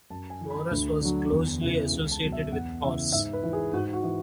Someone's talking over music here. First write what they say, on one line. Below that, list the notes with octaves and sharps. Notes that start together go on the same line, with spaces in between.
Boreas was closely associated with horses.
F#2 A5
G#5
E3
B5
D2
D3 F#3
E2
C#3 E3
C#2
A5
B2 F#3
E5
E2 F#5
C#3 E3 E5
G#2 E5
B4
E3
G#4
G#2 F#4
F#4
E3